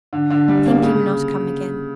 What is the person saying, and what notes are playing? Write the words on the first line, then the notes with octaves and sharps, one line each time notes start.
Think him not come again.
D3
D3
G3
A#3
C#3